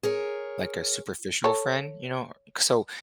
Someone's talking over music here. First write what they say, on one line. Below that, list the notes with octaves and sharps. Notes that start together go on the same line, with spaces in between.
like a superficial friend, you know? C So,
G#4 A#4 C#5
A4 C#5